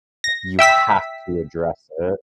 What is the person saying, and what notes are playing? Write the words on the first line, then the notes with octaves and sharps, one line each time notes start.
you have to address it.
A#6
E5 G5 E6 B6